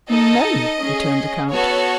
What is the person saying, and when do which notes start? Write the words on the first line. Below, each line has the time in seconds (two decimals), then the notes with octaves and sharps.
"No," returned the count.
0.09 D#4 A4 D#5
0.80 C#4 G#4
1.51 B3 F#4 A4 C#5